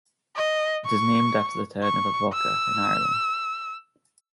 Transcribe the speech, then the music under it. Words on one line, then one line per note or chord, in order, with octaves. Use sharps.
It is named after the town of Avoca in Ireland.
D#5
C#6
C#6
E6